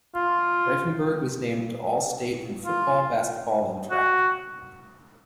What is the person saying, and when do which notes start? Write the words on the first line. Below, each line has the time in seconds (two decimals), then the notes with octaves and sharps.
Rifenburg was named All State in football, basketball and track.
0.15 F4
2.65 F4
3.91 F#4